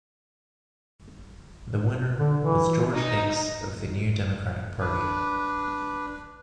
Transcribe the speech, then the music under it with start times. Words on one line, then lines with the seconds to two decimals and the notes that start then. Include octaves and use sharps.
The winner was George Hickes of the New Democratic Party.
2.19 D3
2.39 E3
2.95 D#4
4.80 D4 B4